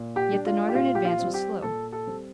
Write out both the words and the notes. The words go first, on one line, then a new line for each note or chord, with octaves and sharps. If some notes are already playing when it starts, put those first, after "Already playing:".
Yet the Northern advance was slow.
Already playing: A#2
G4
G3 D4
F4
G4
A#2 F4
G4
F4
G3 C4
G4
A#2 A4
A4
G3 C4